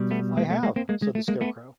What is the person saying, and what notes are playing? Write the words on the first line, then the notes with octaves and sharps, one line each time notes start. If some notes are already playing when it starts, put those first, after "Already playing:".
"I have," said the Scarecrow.
Already playing: B2 G3
A3 B3
G#3 A#3
A3
G#3 A#3
A#3 C4
G#3 A#3
G#3
A3
G#3 A#3
A3 B3